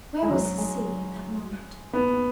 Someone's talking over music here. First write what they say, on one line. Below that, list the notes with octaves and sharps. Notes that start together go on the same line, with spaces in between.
Where was Cecilia at that moment?
G#3
F#3
G#3
B3